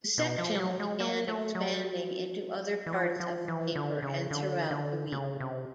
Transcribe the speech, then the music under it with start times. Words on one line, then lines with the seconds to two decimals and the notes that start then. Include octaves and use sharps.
The section began expanding into other parts of the paper and throughout the week.
0.18 B2
0.38 F3
0.55 G3
0.60 F#3
0.80 G#3
1.00 A#3
1.28 A3
1.55 F#3
2.86 E3
2.93 F3
3.20 F3
3.48 E3
3.75 D3
4.02 C#3
4.31 D3
4.71 D3
5.12 C#3
5.40 C3